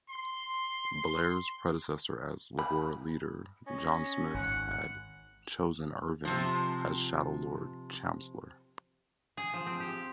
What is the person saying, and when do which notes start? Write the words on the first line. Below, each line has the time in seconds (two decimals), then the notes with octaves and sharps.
Blair's predecessor as Labour leader, John Smith, had chosen Irvine as Shadow Lord Chancellor.
0.10 C6
2.59 B5
3.67 C#4 D#5
4.34 G#1 F#5
6.25 C3 F3
9.37 G#4
9.54 F3
9.66 C4
9.80 G4